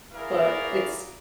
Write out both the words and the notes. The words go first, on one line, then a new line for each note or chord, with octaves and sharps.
but it's
E4 F#4 G#4 A#4 D5 F5